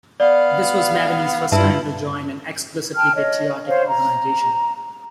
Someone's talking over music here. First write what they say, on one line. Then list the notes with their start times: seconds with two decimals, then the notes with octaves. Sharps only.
This was Mabini's first time to join an explicitly patriotic organization.
0.20 B3 D5 F5
1.52 G2 E4 F4 B4 E5 A5
2.95 G5 A5 F6
3.14 C#5 D#5
3.67 C5 C#5 F5
3.87 A#5